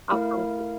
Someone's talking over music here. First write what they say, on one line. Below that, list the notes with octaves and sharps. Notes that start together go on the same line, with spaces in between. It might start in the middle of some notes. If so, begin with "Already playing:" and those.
I'll come to"
A3 E4 A#4 F5